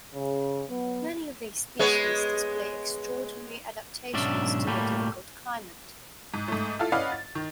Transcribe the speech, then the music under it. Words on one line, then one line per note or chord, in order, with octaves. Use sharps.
Many of these species display extraordinary adaptations to the difficult climate.
C#3
F#3 B3
G#3 B3 C#5
B1 G#2 C#4 D4 D5 E5
A2 G3 A3 A#3
G#2
G#2 A3
E4 F4 A4 F5
C#4 B4 D5 D#5 F5 F#5
A6
D#3